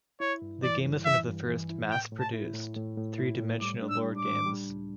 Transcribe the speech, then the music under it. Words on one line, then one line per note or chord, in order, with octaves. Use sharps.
The game was one of the first mass-produced, three-dimensional board games.
E4 C#5
G2
E3 D5
G2
E3 E5
G2
E3
E4
A2 G5
A2
A5
E4
A2
A2
A2
E4
A2
G3 D6
D4
E6
G3
D6
D4
G3
C#2